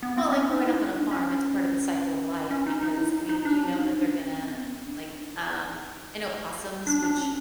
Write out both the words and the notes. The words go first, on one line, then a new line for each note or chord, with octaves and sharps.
Well, and growing up on a farm, it's part of the cycle of life because, I mean, you know that they're gonna, like, um I know possums which
B3
C4
C#4
D#4
E4
D#4
D4
C#4
C#4
D#4
D#4
E4
D#4
D#4
D4
C#4
D#4
D4
C#4
C4
B3
C4
D4
D#4
D4
E4
D#4
D4
D4
C#4